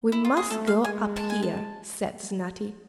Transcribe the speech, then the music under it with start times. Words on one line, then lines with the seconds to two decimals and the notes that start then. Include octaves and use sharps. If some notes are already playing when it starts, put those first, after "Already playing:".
'We must go up here,' said Snati.
0.12 E4
0.25 F4
0.37 G#4
0.50 A3 A4
0.67 F5
0.84 G#3 G#5
1.16 A5
1.30 G#5
1.43 A5